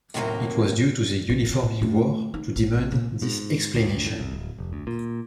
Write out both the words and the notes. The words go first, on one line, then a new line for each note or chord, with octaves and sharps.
It was due to the uniform he wore, to demand this explanation.
D#2 A2 C3 F3 F#3 A#3
A#1
B2
A2
A3
D#4
A#1
A#2
G#2
D2
A2
C2
D1
F1
D2
A#2